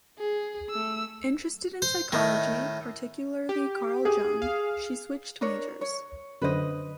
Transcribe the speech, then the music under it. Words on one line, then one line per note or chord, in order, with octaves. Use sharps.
Interested in psychology, particularly Carl Jung, she switched majors.
G#4
A3 E6
C5
A2 D#3
G4
G#4
F5
D4 A#4 C#5
C#5
F#2 D3 B4 C5 D#5